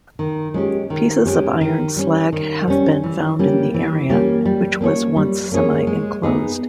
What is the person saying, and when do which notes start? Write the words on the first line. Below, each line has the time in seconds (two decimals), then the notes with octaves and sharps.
Pieces of iron slag have been found in the area, which was once semi-enclosed.
0.19 D#3
0.54 G#3 C#4 G4
0.90 D#3
1.25 G#3 C#4 G4
1.61 D#3
1.96 G3 C#4
2.32 D#3
2.68 G3 C#4
3.04 E3
3.39 G3 A#3 C#4 G4
3.74 E3
4.10 G3 A#3 C#4 G4
4.45 G3
4.81 A#3 C#4 G#4 C#5
5.16 G3
5.52 A#3 C#4 G#4 C#5
5.87 G#3
6.23 B3 D#4 G#4